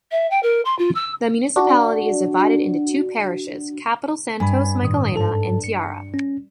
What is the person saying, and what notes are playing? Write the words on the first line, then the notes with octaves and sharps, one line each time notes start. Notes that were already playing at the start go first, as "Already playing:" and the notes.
The municipality is divided into two parishes: Capital Santos Michelena and Tiara.
E5
G5
A#4
C6
F4
E6
D4 F#4
G2 G#5 B5
A2 D#3 D#6
G#2 A4 A5
C#7
C#4